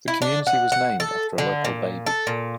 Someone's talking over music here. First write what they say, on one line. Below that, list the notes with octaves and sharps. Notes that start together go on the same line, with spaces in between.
The community was named after a local baby.
E4
D4
F#5
F#5
A4
D3
A#2
A4
A#2